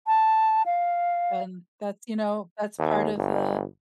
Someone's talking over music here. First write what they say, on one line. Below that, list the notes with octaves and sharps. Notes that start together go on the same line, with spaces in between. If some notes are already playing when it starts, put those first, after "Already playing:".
and that's you know, that's part of the
A5
F5
D#2
G1